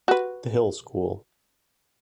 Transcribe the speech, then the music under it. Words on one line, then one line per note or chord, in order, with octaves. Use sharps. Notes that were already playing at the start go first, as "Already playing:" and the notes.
The Hill School.
F#4 B4